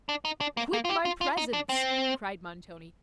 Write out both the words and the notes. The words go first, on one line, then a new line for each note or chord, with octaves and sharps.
'Quit my presence!' cried Montoni.
D4
D#4
D4
A#3
A#3
F4
G4
F4
F4
D#4
D4
C4